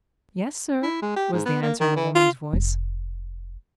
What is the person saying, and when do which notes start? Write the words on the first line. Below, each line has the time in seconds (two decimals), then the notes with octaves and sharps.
"Yes, sir," was the answer, in a woman's voice.
0.83 E4
1.02 G#3
1.16 G4
1.33 G#2
1.45 B3
1.62 A#3
1.80 D#3
1.96 E3
2.15 F4
2.53 F1